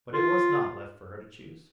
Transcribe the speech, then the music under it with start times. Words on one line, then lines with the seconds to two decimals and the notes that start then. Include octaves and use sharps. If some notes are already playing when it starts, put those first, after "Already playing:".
But it was not left for her to choose.
0.13 F4